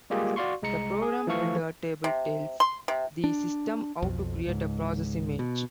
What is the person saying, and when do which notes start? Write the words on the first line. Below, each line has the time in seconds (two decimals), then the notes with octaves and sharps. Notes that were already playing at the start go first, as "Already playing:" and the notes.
The program header table tells the system how to create a process image.
0.10 G3 G#3 A#3 F4 G4 G#4
0.36 F#4 D5 F5 C6 C#6
0.62 C2 G#3 A#5 C#7
1.02 G#4
1.27 E3 F3 A3 A4 F5 C#6
2.04 C3
2.60 C6
2.88 C3
3.24 D4
4.02 B1 F2
4.46 C#2 G#2
5.39 B2